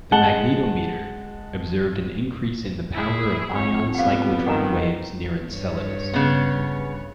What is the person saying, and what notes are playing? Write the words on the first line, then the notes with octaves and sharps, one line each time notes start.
The magnetometer observed an increase in the power of ion cyclotron waves near Enceladus.
G#3 F#5 A5 F#7 G7
E4 G#4
F2 C#5
G3 B3 F5 F#5
D#3 F#5 G#5 A#5
G2 C#5
C#3 B3